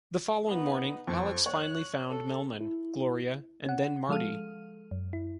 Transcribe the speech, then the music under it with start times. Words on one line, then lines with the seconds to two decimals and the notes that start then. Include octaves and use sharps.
The following morning, Alex finally found Melman, Gloria, and then Marty.
0.47 B3 D#4
1.07 F2 C#6
1.46 C#5 F#6
2.09 A4
2.61 E4
3.66 C#4 F#5
4.09 F3 G#3 A4 F5 F6 D#7
4.91 F#2
5.13 E4